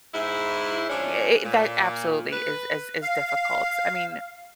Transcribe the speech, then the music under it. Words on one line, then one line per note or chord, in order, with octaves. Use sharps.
it it that absolutely is is is difficult, I mean,
G#2 E4
F3 C#4 D4
A#2
B4
F5